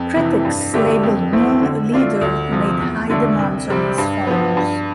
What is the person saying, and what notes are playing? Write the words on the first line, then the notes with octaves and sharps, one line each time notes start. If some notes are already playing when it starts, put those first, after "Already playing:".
Critics labeled Moon a leader who made high demands on his followers.
Already playing: F2
C3 E3
G2
D3 A3 D4 G4
F2
E3 A3 C4
D3
A3 D4 F4
D2
C3 F3
E2
D3 A3 D4
C2
C3 G3 C4
G2
F3 B3
G2